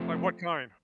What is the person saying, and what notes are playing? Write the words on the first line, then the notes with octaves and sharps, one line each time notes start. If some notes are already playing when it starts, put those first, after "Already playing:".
Like, what kind?
Already playing: F3 A3 C4